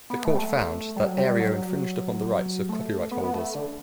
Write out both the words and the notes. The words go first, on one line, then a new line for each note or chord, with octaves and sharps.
The Court found that Aereo infringed upon the rights of copyright holders.
B3
A3
G3
A3
G3
F#3
G3
F#3
A3
B3
B3
A3
D3